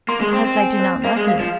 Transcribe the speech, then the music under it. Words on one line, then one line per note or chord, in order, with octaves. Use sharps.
"Because I do not love you."
A#3 C6
G#3
C4 C6
C4
G#5
C5
A#3 F5
G#3
F5
F3